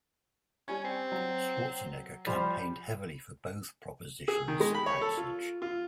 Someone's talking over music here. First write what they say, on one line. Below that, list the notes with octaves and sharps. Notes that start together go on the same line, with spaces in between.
Schwarzenegger campaigned heavily for both propositions' passage.
G3 C#4 G#5 G#6
C4
F#3
F3 G3 F4 C5
G#4
D#3
G#3
B5
C#5
A4
F4
F4